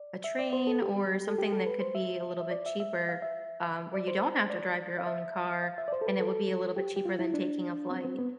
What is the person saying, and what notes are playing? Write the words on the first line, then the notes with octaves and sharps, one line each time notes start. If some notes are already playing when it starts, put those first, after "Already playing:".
a train or something that could be a little bit cheaper, um, where you don't have to drive your own car, and it would be a little bit cheaper than taking a flight.
Already playing: D5
E5
D5
C5
A4
G4
A4
G4
A4
B4
C5
E5
E5
D5
E5
E5
F5
E5
D5
C5
D5
F5
E5
F5
E5
D5
C5
A4
B4
A4
G4
G4
F4
E4
D4
C4
C4
B3